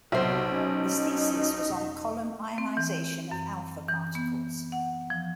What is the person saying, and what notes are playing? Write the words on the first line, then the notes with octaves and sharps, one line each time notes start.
His thesis was on column ionization of alpha particles.
B1 C3 B3 C5 E5
C#4 D#4
E1
C4
E3
F#2
E3
B3
F#5
F3